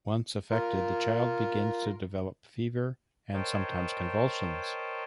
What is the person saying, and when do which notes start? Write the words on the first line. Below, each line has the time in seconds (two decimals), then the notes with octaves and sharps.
Once affected, the child begins to develop fever, and sometimes convulsions.
0.51 F4 A#4
3.33 A#4 C5 C#5 D#5 G5 A5